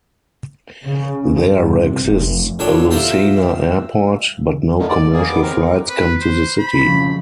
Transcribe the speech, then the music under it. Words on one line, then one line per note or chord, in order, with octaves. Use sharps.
There exists a Lucena Airport, but no commercial flights come to the city.
C#3
G2
C3
F1
A#2 D3 D4 C#5 G5
F4 G4 A4 A#4 C5 E5
A2 D3 D#3
D5
A#3 G#4
D#2 B3 D6
C4 A#4
B4
C5
B5
F2 C#3